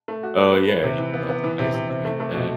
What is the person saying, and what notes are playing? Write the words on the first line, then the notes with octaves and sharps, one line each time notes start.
Oh, yeah, you can melt the ice and drink that.
A3
F#4
B4
B4
B4
C3
E3
B3
B3
E3
C3
C3
C3
A3
A3
B2